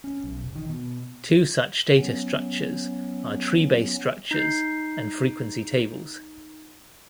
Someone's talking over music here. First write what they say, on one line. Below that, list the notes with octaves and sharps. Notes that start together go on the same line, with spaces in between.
Two such data structures are tree-based structures and frequency tables.
C#4
B1
F1
D#3
B2
F#3 B3 C#4
D#4 G6 C7